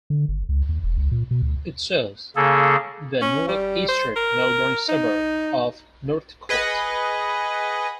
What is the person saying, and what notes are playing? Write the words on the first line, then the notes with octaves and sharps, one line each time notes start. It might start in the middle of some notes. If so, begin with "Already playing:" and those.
It serves the north-eastern Melbourne suburb of Northcote.
D3
G1
C#2
D#2
E1
C#2
A#2
B2
D2
C#3 A#3 G#4 A4
C#4
G3
C5
A#4
D#4
G#4 B4 D#5 F#5